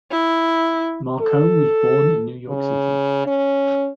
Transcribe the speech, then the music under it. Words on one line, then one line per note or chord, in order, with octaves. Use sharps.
Markoe was born in New York City.
E4
A4
C#3
C#4